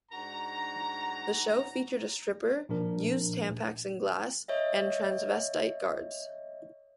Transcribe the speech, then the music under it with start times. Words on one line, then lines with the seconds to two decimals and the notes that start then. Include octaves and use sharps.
The show featured a stripper, used Tampax in glass, and transvestite guards.
0.11 G#2 D4 F#4 A#5
2.69 A#2 F3 D4 A#4
4.48 C#5 D#5 E5